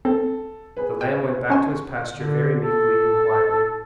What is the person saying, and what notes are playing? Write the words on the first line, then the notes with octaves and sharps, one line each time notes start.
The lamb went back to his pasture very meekly and quietly.
C4 A4
G#4 B4
G5
C#4 G#5 C6 C#6
D3
A4